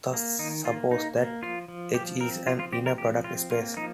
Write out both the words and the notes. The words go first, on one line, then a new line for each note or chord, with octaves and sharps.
Thus suppose that "H" is an inner-product space.
A#3
D#3 D#4
A#3 F4
A#3 D#4
A#3
F3 F4
F3
F3 G4
C4 A#4
F3 F4
F4
C4 G4
A#4
F3 G4
C4 F4
A#3 F4
F3 D#4